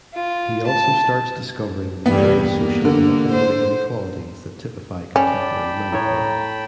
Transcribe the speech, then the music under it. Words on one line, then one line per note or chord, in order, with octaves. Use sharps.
He also starts discovering the various social and economic inequalities that typify contemporary Manipur.
F4
A5
E2 G2 G3 B3
A#3
D3
C5
C#4 D5 G5 A5 B5
A2 C#5 A#5